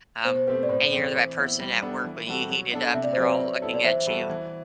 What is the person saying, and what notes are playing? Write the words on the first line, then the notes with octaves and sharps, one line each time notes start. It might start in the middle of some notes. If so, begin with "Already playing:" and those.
um, and you're the right person at work when you heat it up, they're all looking at you,
B2 C5
C5
A3 C4 G4 B4
D5
A2 C5
E3 A3 C4
E3
B3 E4
G3
B3 D4 A4
E3
G3 C4 F#4 A4
F#3
B3 D4 A4
C3 E5
D5
C5
F#3 C4 G4 B4 D5
F#3
B3 E4 A4
D5
E3 C5 E5
G3 B3 F#4 A4
E3